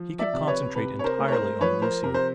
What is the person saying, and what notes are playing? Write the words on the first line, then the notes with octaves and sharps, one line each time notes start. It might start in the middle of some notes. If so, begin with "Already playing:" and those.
He could concentrate entirely on Lucy.
Already playing: F3
D5 E5
C3
B4 C#5
C3 B4
C#5
A#4 C5
A3
C#5
A#4 C5
F3 B4 C#5
A#4 C5
C3 A#4
C5